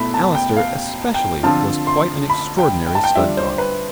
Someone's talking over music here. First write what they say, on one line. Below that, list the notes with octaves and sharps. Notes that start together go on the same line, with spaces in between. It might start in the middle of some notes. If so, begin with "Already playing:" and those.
Alister especially was quite an extraordinary stud dog.
Already playing: B2 A3 E4 B5
A5
G5
F5
G5
D3 F3 C4 F4 A5
C6
B5
G5
G5
A5
G5
D3 G3 D4 F4 E5
C5
B4